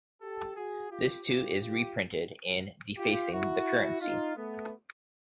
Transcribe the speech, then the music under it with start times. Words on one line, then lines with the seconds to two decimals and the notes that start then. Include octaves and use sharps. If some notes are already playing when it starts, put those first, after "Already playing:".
This too is reprinted in "Defacing the Currency".
0.22 G4 A4
0.56 F#4 G#4
0.91 F4 G4
1.25 F4 G4
1.61 F4 G4
2.98 F4 G4
3.32 E4 F#4
4.02 D#4 F4
4.36 A3 B3